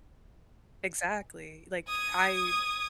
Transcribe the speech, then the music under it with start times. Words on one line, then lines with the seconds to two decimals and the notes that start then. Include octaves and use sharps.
Exactly, like, I
1.89 D#6 G#6